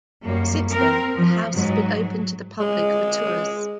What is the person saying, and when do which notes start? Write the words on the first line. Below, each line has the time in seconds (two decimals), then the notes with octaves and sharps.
Since then, the house has been open to the public for tours.
0.24 F#2 G3 A#3
0.71 C4 A#4
1.16 F3
1.56 G#2 F#3
1.96 F#3
2.60 G#3